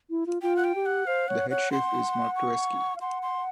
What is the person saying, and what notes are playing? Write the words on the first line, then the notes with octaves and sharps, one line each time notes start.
The head chef is Mark Twersky.
E4
F4
F4 G5
F#5
G5
G4
F#5
C5 F5
C#5 F#5
C#5 F#5
F#5 C6
C#6
F5
F#5 C6
C6